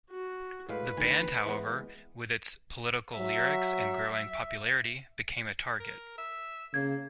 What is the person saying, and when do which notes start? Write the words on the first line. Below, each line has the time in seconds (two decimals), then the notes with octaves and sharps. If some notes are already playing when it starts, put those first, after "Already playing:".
The band, however, with its political lyrics and growing popularity, became a target.
0.10 F#4
0.69 A2 G#3 B4 F5
0.97 D2 D#3 G#5
1.46 E3 G#3 B3
3.18 F#3 E5
5.80 A#4
6.18 E5
6.74 C#3 A#3 G#6